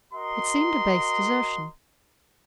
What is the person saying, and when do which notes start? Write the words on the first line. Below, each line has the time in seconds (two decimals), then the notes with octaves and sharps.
It seemed a base desertion.
0.13 F#4 A#4 D#5 A#5 C6